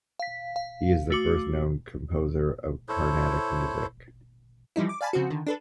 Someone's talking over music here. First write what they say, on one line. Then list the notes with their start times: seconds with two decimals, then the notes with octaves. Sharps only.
He is the first known composer in carnatic music.
0.20 F5 B6
0.56 F5
1.10 A3 F#4 D6
2.89 E4 A4 C5 C#5
4.76 E3 F3 G3 D#4 E4
4.89 D6
5.01 D5 F5 G#5 A5 B5
5.13 C#3 F3 C4 F#4
5.30 D3 D#3
5.47 D4 A4 B4